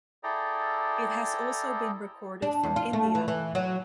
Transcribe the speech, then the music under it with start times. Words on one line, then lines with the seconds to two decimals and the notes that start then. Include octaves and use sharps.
It has also been recorded from India.
0.23 E4 G#4 A4 D5 G5 A#5
2.42 D4
2.63 E2
2.76 F4
2.93 A3
3.15 E3
3.28 E3
3.55 F#3